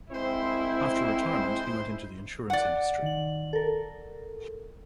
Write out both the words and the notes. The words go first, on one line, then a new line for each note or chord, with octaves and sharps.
After retirement, he went into the insurance industry.
G#3 C4 E4 C5
D5 F#5
D#3 F#7
A4 A#4